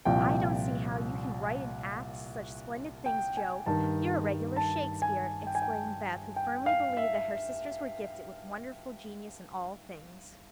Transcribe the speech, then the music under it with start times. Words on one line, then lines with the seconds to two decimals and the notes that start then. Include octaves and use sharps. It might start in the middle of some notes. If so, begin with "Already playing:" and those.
"I don't see how you can write and act such splendid things, Jo. You're a regular Shakespeare!" exclaimed Beth, who firmly believed that her sisters were gifted with wonderful genius in all things.
0.05 C2 A#2 F3 G5
3.06 G5
3.37 G#5
3.66 G2 D#3 A5
4.56 A5
5.02 G#5
5.47 G5
5.55 G#5
5.62 G5
6.36 G5
6.66 F5
6.97 E5